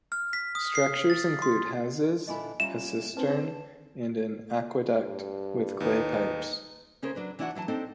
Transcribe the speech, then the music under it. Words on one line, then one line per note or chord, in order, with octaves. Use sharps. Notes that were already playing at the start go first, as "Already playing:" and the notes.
Structures include houses, a cistern and an aqueduct with clay pipes.
F6
B6
D#6
C7
A6
C6
A#2 D3 E4 D#5 G#5 B5
G3 C#4 F4 E5 A#5 E7
C4 D4 D#4 B4 A5
G2
D#2 D#4 B4
C#3 C#4 G#4 A#4 C5
F#3 D4 B4
E3 D4 E4 F#4 D#5 F#5
E3 F#3 E5 A5
C4 D4 D#4 A4